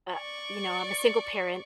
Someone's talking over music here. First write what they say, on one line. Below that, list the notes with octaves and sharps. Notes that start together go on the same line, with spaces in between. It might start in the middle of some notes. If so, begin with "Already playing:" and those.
uh you know, I'm a single parent
D5 C#6